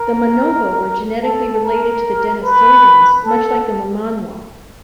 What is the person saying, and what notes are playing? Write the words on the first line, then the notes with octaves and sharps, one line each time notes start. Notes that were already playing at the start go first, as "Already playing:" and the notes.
The Manobo are genetically related to the Denisovans, much like the Mamanwa.
Already playing: A#4
A4
A#4
B4
A4